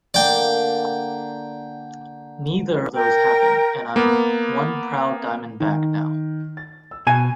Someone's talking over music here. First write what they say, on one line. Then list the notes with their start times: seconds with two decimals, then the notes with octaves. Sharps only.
Neither of those happened and I'm one proud Diamondback now.
0.14 D3 A#3 D5 G5
2.94 A#4 G5
3.96 A#3 B3
5.60 D#3
6.57 A6
6.91 E6
7.07 B2 G#5